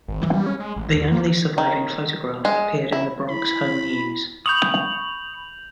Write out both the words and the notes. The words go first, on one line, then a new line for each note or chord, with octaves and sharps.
The only surviving photograph appeared in the "Bronx Home News".
G#1
E3
G3
C#4
G#3
A1
D#2
A#3
D#3
G#3
E4
E4 B5
B5 C#6 D#6 G6 F7 F#7